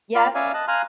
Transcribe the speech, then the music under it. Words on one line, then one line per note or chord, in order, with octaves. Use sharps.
Yeah, uh
A#3 F4 D5 F5 B5
C#4 C#5 D5 E5 F5 G#5
D#5 A5 F#6
F5 G#5 A#5 C6 F6 F#6